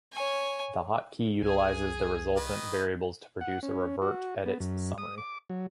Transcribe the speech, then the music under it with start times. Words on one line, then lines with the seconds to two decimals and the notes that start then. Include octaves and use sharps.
The hotkey utilizes the resultant variables to produce a revert edits summary.
0.13 C#5 G#5
1.43 C2 G#4 G#5
2.37 D#3 B4 D#5
3.41 F#5
3.63 C#4
4.02 F#4
4.46 B3
4.60 F#2
4.98 D#6
5.18 D6
5.50 F#3